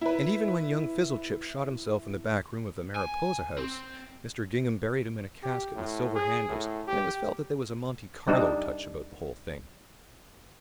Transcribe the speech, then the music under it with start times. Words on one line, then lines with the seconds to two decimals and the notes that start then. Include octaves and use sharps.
And even when young Fizzlechip shot himself in the back room of the Mariposa House, Mr. Gingham buried him in a casket with silver handles and it was felt that there was a Monte Carlo touch about the whole thing.
0.01 E4 B4
2.96 G#5
3.58 C4
5.43 G4
5.76 A2
6.15 G#4
6.49 A2
6.87 G4
8.28 G3 D4 D#4